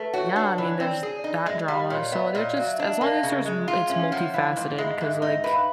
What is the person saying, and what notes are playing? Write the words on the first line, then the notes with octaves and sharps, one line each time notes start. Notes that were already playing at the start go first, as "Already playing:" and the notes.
Yeah, I mean, there's that drama. So, they're just as long as there's m it's multifaceted, 'cause, like
Already playing: A3 B4
F#4 C#5
D4
E3
C4 D5
G#4
D5
D#4 D#5
G#3 E5
G3 F5
D#5
A#2 C#5
D5
B3 E5
D5
A#2 D#5
D5
F#3 F5
E5
D4 D#5
E5
A#3
C#3
G#3
F4
C#4 E5
F3 F#5
E3 F5
G#2
G#3 E5
D#5
G#2 E5
D#4 E5
E5
B4
F5